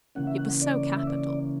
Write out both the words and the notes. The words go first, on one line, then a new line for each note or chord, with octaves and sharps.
It was so capital!
C#3 E3 A#3 C#4 F#5
E5
F#5
D5
E5
D5